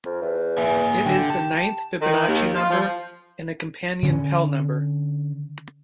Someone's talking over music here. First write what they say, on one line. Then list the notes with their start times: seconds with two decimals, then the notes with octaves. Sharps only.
It is the ninth Fibonacci number and a companion Pell number.
0.05 F2
0.22 E2
0.58 A#3 E5 G#5
1.05 D3 G4
1.30 A5
2.02 D#3
2.28 D#2
2.56 F4
2.71 F3
4.03 D3 C#4